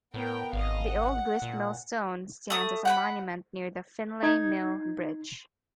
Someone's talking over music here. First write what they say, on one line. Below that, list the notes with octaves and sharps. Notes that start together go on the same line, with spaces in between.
The old grist-mill stone stands as a monument near the Finlay Mill bridge.
A2 B3 A#4 G5
G#1 D#5 F5
F#5
A#2
A3 D#6
F#5 G5 B5
D#4 G#6